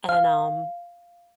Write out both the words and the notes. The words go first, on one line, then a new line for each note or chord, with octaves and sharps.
And, um,
F5